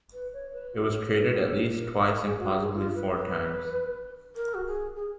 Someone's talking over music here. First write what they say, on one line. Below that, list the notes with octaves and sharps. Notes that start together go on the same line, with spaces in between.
It was created at least twice and possibly four times.
B4
C#5
B4
F#4
C#5
A#4
B4
C#5
B4
A#4
B4
A#4
G#4
F#4
G#4
F4
B4
B4
A#4
F#4
G#4
G#4